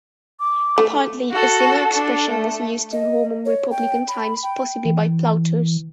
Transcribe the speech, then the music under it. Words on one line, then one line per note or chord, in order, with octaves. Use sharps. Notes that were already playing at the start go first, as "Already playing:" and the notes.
Apparently, a similar expression was used in Roman Republican times, possibly by Plautus.
D6
A3
F#4 A4
D4 A4
A3
D#5
C#5
G5
B5
G5
E3